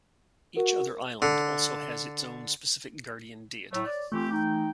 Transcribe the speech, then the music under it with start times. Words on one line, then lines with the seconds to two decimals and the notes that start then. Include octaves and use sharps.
Each other island also has its own specific guardian deity.
0.57 F#4 A#4
1.22 D3
3.73 A2 F#3 A3 C#5
3.86 D5
4.12 E3 A3 C4 F4 G4
4.31 D#4 G5